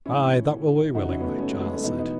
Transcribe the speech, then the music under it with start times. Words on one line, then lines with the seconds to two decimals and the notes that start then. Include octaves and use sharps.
"Aye, that will we willingly," Giles said.
0.06 A2 E3 C#4 E4
0.95 F#2 C#3 E3 D#4 F#4
1.09 C#4 E4
1.20 B3
1.24 A3 C#4
1.39 A3 C#4
1.51 G#3
1.61 G#3 B3
1.73 A3 C#4
1.83 E2 B2 B3 D#4
1.99 B3 D#4